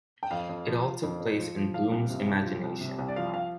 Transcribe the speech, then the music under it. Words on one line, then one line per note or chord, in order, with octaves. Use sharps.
It all took place in Bloom's imagination'.
G5
F2 F5
F2
F3
F3
F2
F2
F3
F3
F3 F5
C2
C3
C2
F3
C2
C3
C2
D5
F3 F5
F5